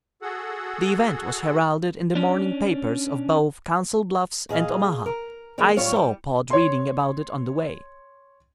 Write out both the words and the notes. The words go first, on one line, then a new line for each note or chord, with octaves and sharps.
The event was heralded in the morning papers of both Council Bluffs and Omaha; I saw Pod reading about it on the way.
F#4 G#4 A4 F#5
C#4 D4
A#2 G#4 D#5 F5
A#4
D#3 G3 G#3 A#3
A2 F#3 G3 F4 C#5 F5
G3
C#5 C6